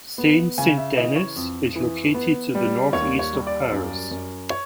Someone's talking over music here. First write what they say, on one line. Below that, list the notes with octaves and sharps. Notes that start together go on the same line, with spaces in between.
Seine-Saint-Denis is located to the northeast of Paris.
B3
C#3 G#5
E5
E3 D#5
C#5
F2
E3
B3
G3
D#2 C#5
C#5
G3
D5
F#2
F#2
C#5